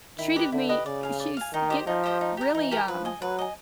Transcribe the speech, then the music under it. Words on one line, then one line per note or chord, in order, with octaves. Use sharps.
treated me i she's gonna really, um,
D#3 E4
G4 B4 D#5
D3 E4
G4 B4 D#5
C#3 D5
F5 G#5
D5
F5 G#5
D#3 D#4
G4 C5 D#5
F3 D#4
G4 C5 D#5
D#4
G4 A#4
E3 D#4
G4 A#4
F3 B4
D#5 G#5
F#3 B4
D#5 G#5